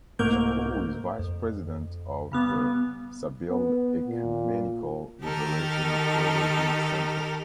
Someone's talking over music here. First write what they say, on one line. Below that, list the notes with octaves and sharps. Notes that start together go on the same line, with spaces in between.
Chacour is vice president of the Sabeel Ecumenical Liberation Theology Center.
C2 G#2 A3 A#3 A#4 G6
F2
C#3 G3 B3
B3
A#2
D#3 G4 A4 A#4